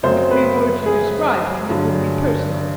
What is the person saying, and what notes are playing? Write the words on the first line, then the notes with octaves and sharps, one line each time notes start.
If we were to describe him it would be personal.
F#2 C#3 F#3 A3 C4 C5
B4
G#4
G2 D3 F#3